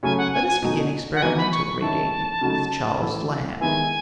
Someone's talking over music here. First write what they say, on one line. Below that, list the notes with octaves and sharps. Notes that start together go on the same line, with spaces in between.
Let us begin experimental reading with Charles Lamb.
C#3 F#3 A3 C#4 G#5
F#5
G#5
G#5
B2 A3 D#4 F#4
F#5
E3 B3 D#4 F#4 G#5
B5
C#6
C#6
D#3 G#3 C#4 E4 A5
C#3 F#3 A3 D#4 F#4
A2 E3 A3 E4
D#3 G#3 B3 E4 G#5